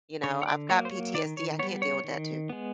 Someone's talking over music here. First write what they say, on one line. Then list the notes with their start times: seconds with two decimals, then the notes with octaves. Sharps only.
you know? I've got PTSD, I can't deal with that too.
0.24 D3 C#5
0.42 C#5
0.46 D5
0.69 F#3 A#3 C#5
0.85 C5
0.91 C#5
1.14 D#3 D5
1.37 C#5
1.59 B3 C#5
1.63 G3
1.82 C#5
2.04 D#3
2.49 G#3 B3